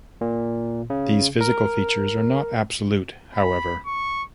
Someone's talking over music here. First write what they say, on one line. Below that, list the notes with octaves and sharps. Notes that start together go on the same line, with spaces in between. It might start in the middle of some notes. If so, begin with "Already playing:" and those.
These physical features are not absolute however.
A#2
C#3
A#4
B5
C#6